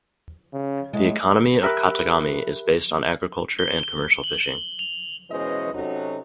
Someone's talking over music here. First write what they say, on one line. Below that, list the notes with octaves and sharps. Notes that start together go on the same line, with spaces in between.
The economy of Katagami is based on agriculture and commercial fishing.
C#3
A2 G#3
G4 A#4 E5 B5 F#6
G7
F#7
F7
B2 E3 G#3 C#4 C5 D#5
C3 F#3 C#4 D#4 F#4 A4